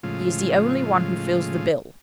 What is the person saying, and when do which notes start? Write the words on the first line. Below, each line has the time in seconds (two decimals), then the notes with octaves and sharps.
He is the only one who fills the bill.
0.03 A2 C#3 F3 G#3 F4